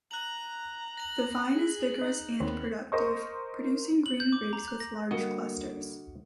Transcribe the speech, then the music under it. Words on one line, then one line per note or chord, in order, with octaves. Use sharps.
The vine is vigorous and productive, producing green grapes with large clusters.
A#5 F#6 F#7
A#6 F#7
G#4
D#4 D#5
D#2 B3 C4 C#5
A#4 C5 D#5 C#6
F#7
G6
D6
A#5
F#6
A#6
D3 G3 A#3 F#4 D#5 C#7